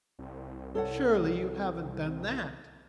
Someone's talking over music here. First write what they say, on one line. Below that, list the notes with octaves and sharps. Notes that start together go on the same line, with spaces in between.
"Surely you haven't done that?"
C2
A4 C#5 F#5